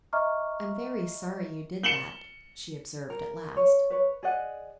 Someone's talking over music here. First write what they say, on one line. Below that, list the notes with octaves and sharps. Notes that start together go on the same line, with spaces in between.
"I'm very sorry you did that," she observed at last.
D#5 E5 A#5 C#6 D6 F6
C#7 E7 F#7 G7
A#4
C#5
B4 C#5
G#4 D5 D#5 F#5